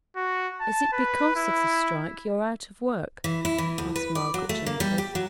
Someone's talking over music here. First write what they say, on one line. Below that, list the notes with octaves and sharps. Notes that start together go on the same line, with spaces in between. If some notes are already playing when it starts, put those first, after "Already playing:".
'Is it because of the strike you're out of work?' asked Margaret gently.
F#4
A5
B4
E4
E3
E4
E3
D2
B4
D5
F#3
A3
A#3
G3
G4
F#3